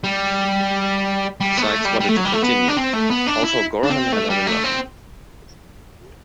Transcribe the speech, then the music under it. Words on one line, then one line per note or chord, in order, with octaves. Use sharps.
Sykes wanted to continue, although Gorham had had enough.
G3
G3
B3
A3
G3
G3
A3
F#3
G3
A3
B3
D4
C4
A3
B3
D4
E4
D4
C4
A3
G3
A3
C4